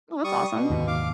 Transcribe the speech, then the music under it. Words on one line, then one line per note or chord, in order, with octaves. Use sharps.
Well, that's awesome.
G3 C#6 D#6
B2
D#2 G#2 C3
F5 D6